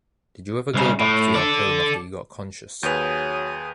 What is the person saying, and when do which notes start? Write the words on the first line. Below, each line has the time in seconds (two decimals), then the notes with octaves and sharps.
Did you ever go back to your home after you got conscious?
0.74 C2 C#3
1.00 A2
1.35 A4 D5
2.83 D#2 F#3 G#4 B4 D#6 G6 F7